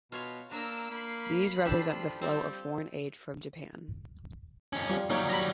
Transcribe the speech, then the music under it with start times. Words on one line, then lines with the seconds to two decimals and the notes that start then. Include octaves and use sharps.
These represent the flow of foreign aid from Japan.
0.12 B2 F4 C#5 F5
0.51 A#3 D4 A#5 E6
0.90 A#3 B5 C7
1.65 F3 D4 G4 A4
2.21 F3 G3 C4
4.73 F2 C#4
4.89 G3 F4
5.10 F#3 G3 A#3 D#4 C#5
5.29 A#5 B5